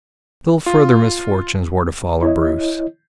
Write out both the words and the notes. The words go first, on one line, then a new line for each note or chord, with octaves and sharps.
Still further misfortunes were to follow Bruce.
F4
E4 C#5 D#5